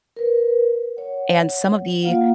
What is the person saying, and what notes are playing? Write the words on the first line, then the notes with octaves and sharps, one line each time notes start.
and some of the
A#4 B4
C#5 F#5
A#3 F4 F5 F#5